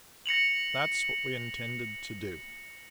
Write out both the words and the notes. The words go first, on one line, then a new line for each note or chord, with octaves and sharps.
That's what we intended to do.
A#6 C#7 F7 F#7